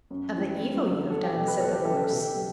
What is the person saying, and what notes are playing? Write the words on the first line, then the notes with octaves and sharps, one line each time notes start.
"Of the evil you have done," said the voice.
F#2
E3 G3
F#2
D3 F#3
E2 A4
G4
B2 F#3 G4
B4
E2 A4
G4
B4
C#3 F#3 A4
G4
A4
B2 G4
F#3